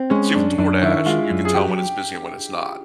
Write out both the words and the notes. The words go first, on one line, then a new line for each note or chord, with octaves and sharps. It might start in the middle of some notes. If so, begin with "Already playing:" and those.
see with DoorDash, you can tell when it's busy and when it's not
Already playing: C4
G#3 C#4
F#2 D4
F#2 D4
D#3 E4
G#3 F4
F#2
G#4
F#3 G4